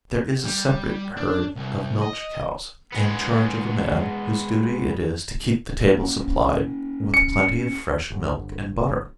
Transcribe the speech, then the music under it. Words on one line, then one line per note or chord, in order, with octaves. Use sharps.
There is a separate herd of milch cows in charge of a man whose duty it is to keep the table supplied with plenty of fresh milk and butter.
G3
D4
C2
D#5
G#3 B3
A#3 B3 C#4
C#7
G1